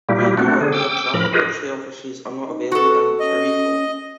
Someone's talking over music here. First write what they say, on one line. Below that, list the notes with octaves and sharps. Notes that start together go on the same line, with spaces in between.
Regular air transport services are not available in Kericho.
A#2 G3 A#3 E4 G4
A3 B3 C4 D4 F#4
D3 G#4
G5 D6 E6
A2 F3 A#4 B5
F4 G4 G#4 A#4 B4 D#5
D#4
F#4 A4 B4
C#4 D#5